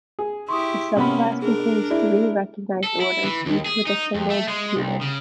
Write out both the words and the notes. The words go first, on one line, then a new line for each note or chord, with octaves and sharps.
The subclass contains three recognized orders, each with a single genus.
G#4 G#5
E4 G4 C6 C#6 D#6
C3 A#3 B3 C#4 B5
D4 G#4 A#4
E4 G#4 D5 E5
A4
E4
E3
D#2
G#4
D#4
F2
A3
G#3
C2
C#3